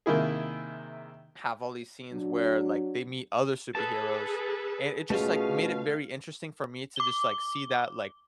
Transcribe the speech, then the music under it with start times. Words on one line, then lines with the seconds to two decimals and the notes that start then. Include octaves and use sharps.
have all these scenes where, like, they meet other superheroes, and it just, like, made it very interesting for me to just, like, see that, like,
0.06 C3 D#3 A#3 E4 G#4
2.12 F#3 D4
3.75 G#4 A4 B4 A5
5.10 B2 A3 C#4 F4 G#4 F5
6.96 D6 G7